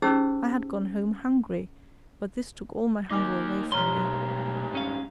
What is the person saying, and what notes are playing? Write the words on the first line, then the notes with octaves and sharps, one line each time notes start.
I had gone home hungry, but this took all my hunger away from me.
C#4 D#4 G4 G#4 C5 E6
A#3 D#4 G#5 D6
B1 G#2 G3 C#5 A#5 C6 F6
G2 C#4 F5